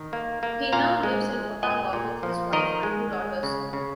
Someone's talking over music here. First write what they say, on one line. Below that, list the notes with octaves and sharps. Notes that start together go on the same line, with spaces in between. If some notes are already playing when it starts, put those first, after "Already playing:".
He now lives in Ottawa with his wife and two daughters.
Already playing: D#3
A#3
A#3
A#2 F5 A#5
G#3
G#3
A#2 D#5 G#5
A#2
F3
D#3 A#4 D#5
G#3
G#3
C#3
C#3